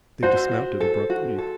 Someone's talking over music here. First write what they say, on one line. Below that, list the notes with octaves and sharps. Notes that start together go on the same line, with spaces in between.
They dismounted abruptly.
F#4 C5
F#4
A4
F#4
A4